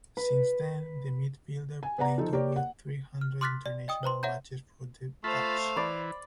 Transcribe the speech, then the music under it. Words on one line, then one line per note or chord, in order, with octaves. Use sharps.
Since then the midfielder played over three hundred international matches for the Dutch.
B4
G#5
B3 D5 F#5 A#5
F3 D#4 A4
A#3 G4 A#4 C#5 D5
F#5
F6
C6 D6 F6 F#6 A6 B6
D5
D#5 G5 D#6
B4 C5 A#5 C6
C#5 E5 F#5 A#5 G6
A3 F4 C5 F5 A5 B5
E3 D5 B5